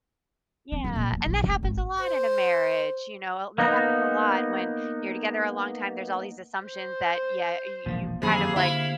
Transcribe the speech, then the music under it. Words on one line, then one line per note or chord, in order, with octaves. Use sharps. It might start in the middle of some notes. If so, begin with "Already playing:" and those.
Yeah, and that happens a lot in a marriage, you know? Li That happens a lot when you're together a long time, there's all these assumptions that Yeah, uh, you you kind of, like,
C4
G1
A#2
F2
A#1
F1
G#1
C5
A#3 B3 D#4
C5
E1 A#1 F3 A#3
F#2 C3 D#3 E3 A#3 G#4 B5
D3 E4 F5